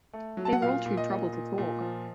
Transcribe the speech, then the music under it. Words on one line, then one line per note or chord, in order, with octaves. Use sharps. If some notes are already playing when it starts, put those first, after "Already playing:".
They were all too troubled to talk.
A3
F#3
A5
F#5
A#2 F5
A#2
D#5
A#2
A#2
A#2
F3